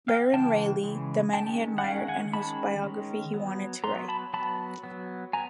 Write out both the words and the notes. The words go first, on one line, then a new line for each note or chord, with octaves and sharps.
Baron Rayleigh, the man he admired and whose biography he wanted to write.
F5 G5
C#3 E3 G#3 G5 A5
C#3 E3 G#3
D#3 G#3 C#4 G5 A5
F#5
D#3 G#3 C#4 F5 G5
F#5 G#5
D#3 G#3 C#4 A5 B5
D#3 G#3 C#4
F#3 B3
F#3 B3 A#5 C6
A5 B5
F#3 B3 A5 B5
F#3 B3
B3 G#5 A#5